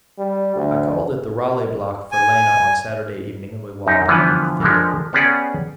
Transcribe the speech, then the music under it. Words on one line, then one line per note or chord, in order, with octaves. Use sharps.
I called at the Raleigh Block for Lena on Saturday evening, and we walked down to the theater.
G3
D2
G#5
F#2 D#4 G4
D3 E3 F3 G3 B3 B4
F3 G#3 D4 G4 A4 A#4
B3 C#4 G4 G#4 D5 F#5